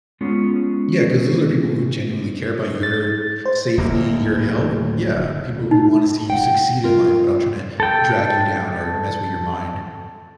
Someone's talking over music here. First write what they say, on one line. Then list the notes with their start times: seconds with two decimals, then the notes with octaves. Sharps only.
Yeah, 'cause those are people who genuinely care about your safety, your health. Yeah, people who wanna see you succeed in life without tryna drag you down or mess with your mind.
0.21 G#3 B3 C#4 F4 G#4
2.83 A6
3.45 C5
3.78 D1 D2 A#3
5.71 D#4
6.30 F#5 G5
6.84 F4 A#4
7.80 A4 G5